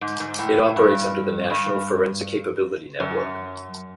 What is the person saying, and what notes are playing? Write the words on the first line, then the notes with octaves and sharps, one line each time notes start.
It operates under the national Forensic Capability Network.
G#2
G#2
A2
G2
G2
F#2